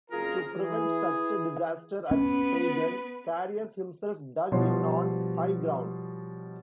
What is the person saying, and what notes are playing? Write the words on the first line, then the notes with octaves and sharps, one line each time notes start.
To prevent such a disaster at Siegen, Carius himself dug in on high ground.
F#1 F2 F4 G#4 A#4
E3 G#4
B3 C#4 B4
B2 F3 G3 C#5 F#5 C6